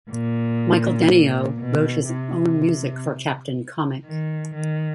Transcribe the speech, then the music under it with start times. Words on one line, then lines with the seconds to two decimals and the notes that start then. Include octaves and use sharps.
Michael Denio wrote his own music for Captain Comic.
0.11 A#2
1.59 B2
2.09 C3
4.06 D#3
4.55 D#3